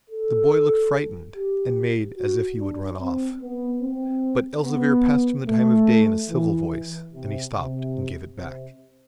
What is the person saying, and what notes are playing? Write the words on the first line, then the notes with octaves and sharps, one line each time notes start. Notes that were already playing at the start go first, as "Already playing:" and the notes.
The boy looked frightened, and made as if he would run off, but Elzevir passed him the time of day in a civil voice, and he stopped and gave it back.
A4
G4
F#4
D4
C4
B3
C4
B3
A3
E3
C3
C3
C3